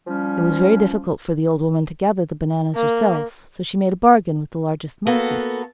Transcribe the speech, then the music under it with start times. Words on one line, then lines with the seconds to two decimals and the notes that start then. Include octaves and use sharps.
It was very difficult for the old woman to gather the bananas herself, so she made a bargain with the largest monkey.
0.07 F3 G3 C#4
2.75 A#3
5.07 A#3 B3 F#4 A4